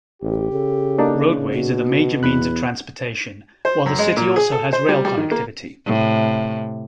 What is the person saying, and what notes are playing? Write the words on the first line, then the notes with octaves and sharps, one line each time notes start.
Roadways are the major means of transportation, while the city also has rail connectivity.
A1 G4
C#3 A4
A#3 D4 D#4
B2 F#4
E2 B3 B5 F#6
C5
F#2
G#3
A#2
G#4
A4
C5
G3
G3
D#3
A#3
A2 C3